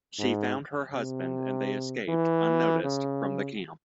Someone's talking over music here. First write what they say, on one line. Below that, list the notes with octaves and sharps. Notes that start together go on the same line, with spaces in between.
She found her husband and they escaped, unnoticed, from the camp.
G#2
C3
E3
C#3